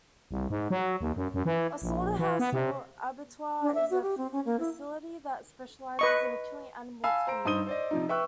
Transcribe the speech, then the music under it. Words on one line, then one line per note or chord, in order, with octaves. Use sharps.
A slaughterhouse or abattoir is a facility that specializes in killing animals for meat.
C2
G#2
F#3
D#2
F#2
F#2
E3
A#1
E3
B3
C3
D4
E5
F#4
G4
C4
C#4
A#3
E4
B4 D#5 C#6
F5 G#5 A5 B5 E6
C5 A#5 D7
G2 D#4 C5 D#6 D#7 G7
C5 D5 D#5
C3 F3 D#4
B4 E5 G5 C#6 E6 F#6